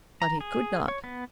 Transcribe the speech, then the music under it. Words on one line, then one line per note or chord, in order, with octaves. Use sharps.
But he could not.
A#5
G#4
C#5
B3